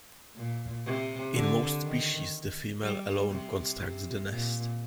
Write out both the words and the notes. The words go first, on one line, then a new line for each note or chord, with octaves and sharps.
In most species the female alone constructs the nest.
A#2
C3
D3
D#3
G3
C3
C3
A#2